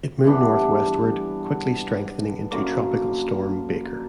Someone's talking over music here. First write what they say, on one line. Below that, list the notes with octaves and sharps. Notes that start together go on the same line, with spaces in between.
It moved northwestward, quickly strengthening into Tropical Storm Baker.
G2 E3 B3 D4
F#2 D3 A#3